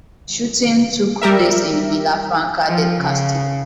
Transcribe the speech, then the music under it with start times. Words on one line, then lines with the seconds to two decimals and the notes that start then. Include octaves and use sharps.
Shooting took place in Villafranca del Castillo.
1.22 G3 G4 A#4 E5
2.67 F3
3.01 C#3